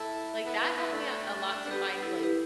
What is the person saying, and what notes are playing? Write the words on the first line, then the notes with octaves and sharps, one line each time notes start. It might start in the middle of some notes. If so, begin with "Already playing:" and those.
like, that helped me out a lot to find, like,
Already playing: E4 A4
B3 E4
B3
B3 E4
A3 D4
D4
D3 G3 B3 G4 B4
E4 A4
E4
G4 B4